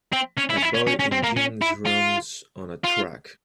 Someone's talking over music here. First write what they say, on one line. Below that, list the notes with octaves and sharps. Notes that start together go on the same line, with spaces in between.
A boy in jeans runs on a track.
C4
C#4
E4
C#4
E4
C#4
C#4
C#4
C4
A#3
C#4
E4
F4
F4